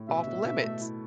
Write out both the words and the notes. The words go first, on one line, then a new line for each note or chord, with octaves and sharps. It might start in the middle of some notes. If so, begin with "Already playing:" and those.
off limits?"
Already playing: A2
B2 E5
B2
B2
A3
E4